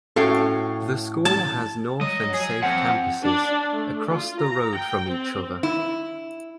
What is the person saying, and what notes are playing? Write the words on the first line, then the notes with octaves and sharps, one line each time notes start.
The school has north and south campuses, across the road from each other.
A2 C#4 F#4 A4 F5 G5
A5
F#3 D#5
G#4
F3 C4 F#5
D4
A3
F4
A#5
G5
C4
E4